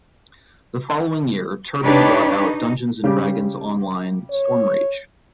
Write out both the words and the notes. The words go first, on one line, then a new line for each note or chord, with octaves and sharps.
The following year Turbine brought out "Dungeons and Dragons Online: Stormreach".
D4 D#4 G4 B4 C#5
D#4
C#3 G3 G4
C#5